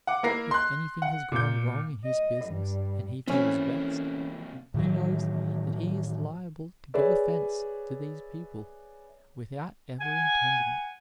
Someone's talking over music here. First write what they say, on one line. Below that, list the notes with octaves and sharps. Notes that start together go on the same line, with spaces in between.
If anything has gone wrong in his business and he feels vexed, he knows that he is liable to give offense to these people without ever intending it.
F#5 D6
A#3 E4 A#4 A#6 C7
C6 F#6
F#5
A#2 G6
D#5
G2
C3 E3 A3 A#3 C4 C#4 E4
A2 D#3 E3 F#3
G#4 B4 C#5 D5 E5
F#5 G#5